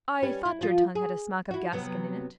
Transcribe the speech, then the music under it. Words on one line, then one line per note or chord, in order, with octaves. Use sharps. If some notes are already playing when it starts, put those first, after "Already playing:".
"I thought your tongue had a smack of Gascon in it."
G3 C#4 B4
E4
F3 F4
G#4
E4 F#4
C3 F#3 B3